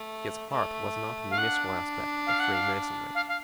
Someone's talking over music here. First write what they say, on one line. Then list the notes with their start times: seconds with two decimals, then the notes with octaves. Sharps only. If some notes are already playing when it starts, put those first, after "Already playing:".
His heart was not in the mystical aspect of Freemasonry.
Already playing: A3
0.49 A3
1.30 F5
1.37 D4 F#5
2.26 F5
2.39 F#5
2.53 F5
3.14 F5
3.28 F5